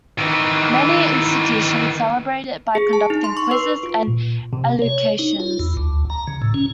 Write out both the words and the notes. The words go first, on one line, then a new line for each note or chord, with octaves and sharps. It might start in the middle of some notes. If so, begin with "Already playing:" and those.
Many institutions celebrate it by conducting quizzes and elocutions.
D#3 E3
G#4
A5
D#4
C6
C#6
B4
F4
A#2
C3
C#5
D#4
F4
E2
D2
A#5
C#3
A2
C#4